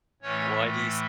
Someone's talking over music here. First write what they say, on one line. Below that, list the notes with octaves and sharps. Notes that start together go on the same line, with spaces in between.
Why do you s
A2 E3 A3 C#4 C#5